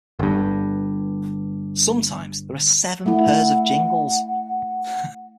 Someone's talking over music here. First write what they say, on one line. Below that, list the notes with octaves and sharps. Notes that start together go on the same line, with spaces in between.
Sometimes there are seven pairs of jingles.
G1 G2
A3 E4 F#5